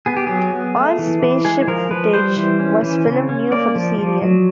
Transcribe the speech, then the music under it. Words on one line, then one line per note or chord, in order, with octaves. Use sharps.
All spaceship footage was filmed new for the serial.
B3 G#4
G4
F#3 G#4
B3
A3
E3
E3
G#3 G#4
F3 A#4
F3 B4
G3 C5
E3
C#4
E3
C#3
C#4
A#3 D5
F3
F3
F#3